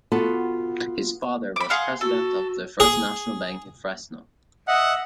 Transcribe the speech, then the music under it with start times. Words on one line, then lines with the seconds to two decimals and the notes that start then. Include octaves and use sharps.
His father was president of the first national bank in Fresno.
0.12 B3 F4 F#4 A4 A5
1.56 B5 D6
1.70 G#4 F5 F#5 C6
2.01 F#4 A4
2.80 G#4
4.68 D#5 E5 F#5